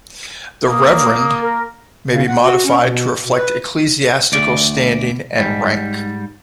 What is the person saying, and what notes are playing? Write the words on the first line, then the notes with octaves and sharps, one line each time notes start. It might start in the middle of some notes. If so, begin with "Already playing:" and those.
"The Reverend" may be modified to reflect ecclesiastical standing and rank.
A#3 D#6
A#4
C#3
F#5
F#4
C#4
B2
B2
B4
D2 D5
G#2 G3